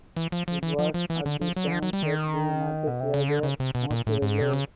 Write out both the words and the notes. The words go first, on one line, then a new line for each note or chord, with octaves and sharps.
It was at this time that the matches were the most regular.
E3
F3
F3
E3
F3
F3
E3
D3
F3
F#3
E3
F3
F#3
G3
D#3
B2
C3
C#3
D3
C#3
C3
B2
A#2
A2
G#2
C3
C#3